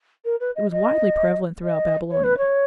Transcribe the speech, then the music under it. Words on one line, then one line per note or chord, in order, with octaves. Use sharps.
It was widely prevalent throughout Babylonia.
A#4
B4
D#5
D#5
D#5
C#5
B4
C#5